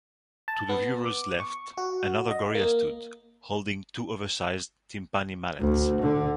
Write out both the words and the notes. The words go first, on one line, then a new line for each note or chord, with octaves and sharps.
To the viewer's left another gorilla stood, holding two oversized timpani mallets.
A5
B3
D6
C#6
F#4
D#5
A#3
D2
D3